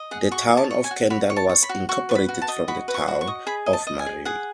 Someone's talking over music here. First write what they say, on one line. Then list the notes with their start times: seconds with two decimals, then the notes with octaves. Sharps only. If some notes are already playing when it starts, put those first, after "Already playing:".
The Town of Kendall was incorporated from the Town of Murray.
Already playing: D#5
0.11 G#4 F#5
0.31 F#4 C#6
0.51 C#5
0.57 A5
0.71 C#5
0.84 G#5
0.91 F#4
1.10 F#4 B5
1.30 C#5
1.36 A5
1.49 C#5
1.63 B5
1.69 F#4
1.89 F#4 C#6
2.09 B4 C#6
2.15 B5
2.29 F#4
2.42 A5
2.48 D#5
2.68 F#4 B5
2.88 B4
2.94 C#6
3.08 F#4
3.21 C#6
3.27 D#5
3.47 G#4 B5
3.66 D#5
3.73 A5
3.87 D#5
3.99 G#5
4.06 G#4
4.25 G#4 F#5